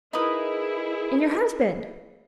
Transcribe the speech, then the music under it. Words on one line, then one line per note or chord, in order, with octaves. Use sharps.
And your husband?
D#4 E4 G#4 A#4 B4 D#5 B5 D#6